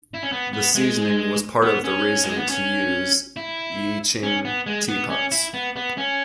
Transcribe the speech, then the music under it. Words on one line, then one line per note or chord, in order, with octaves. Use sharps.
This seasoning was part of the reason to use Yixing teapots.
E4
C#4
B3
B3
G#3
B3
C#4
G#3
B3
C#4
E4
C#4
B3
G#3
B3
C#4
E4
B3
B3
C#4